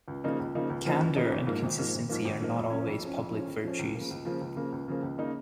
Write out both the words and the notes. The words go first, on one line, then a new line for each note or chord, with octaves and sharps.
Candor and consistency are not always public virtues.
C#2
C#3 F3 A#3 D#4
C#2
C#3 F3 A#3 D#4
C#2
C#3 F3 A#3 D#4
C#2
C#3 F3 A#3 D#4
G#1
G#2 F3 A#3
G#1
G#2 F3 A#3
G#1
G#2 F3 A#3
G#1
G#2 F3 A#3
F2
F3 C#4
F2
F3 C#4
F2
F3 C#4
F2
F3 C#4
C#2
C#3 F3 A#3
C#2
C#3 F3 A#3
C#2
C#3 F3 A#3
C#2
C#3 F3 A#3
C#2
C#3 A#3 D#4